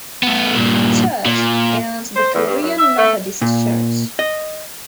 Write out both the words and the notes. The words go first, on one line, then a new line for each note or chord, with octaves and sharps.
Church and the Korean Methodist Church.
A3 B3
G2 A#2
A#2
C5
E2
G2
F#2
E5
A3
A#2
D#5